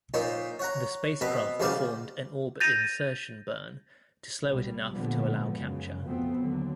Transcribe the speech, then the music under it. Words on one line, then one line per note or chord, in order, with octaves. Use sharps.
The spacecraft performed an orbit insertion burn to slow it enough to allow capture.
A#2 D#4 C5 C#5
C#5 F#5 A#5
B2 C4 B4 B5
A1 C#3 F#3 C5 D5 F5
G6 A6 A#6 D#7 F7
C2 B2 G3
A#2 D3 F3 G3 G#3 B3
F#2 C#3
F2 B2 F3 A3 B3 C4
D#2 D3 F#3